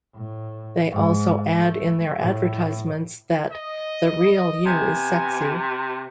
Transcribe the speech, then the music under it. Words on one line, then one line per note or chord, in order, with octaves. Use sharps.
They also add in their advertisements that The real you is sexy.
A2
G#2
A3
A2
D#5
C3 B3 G#5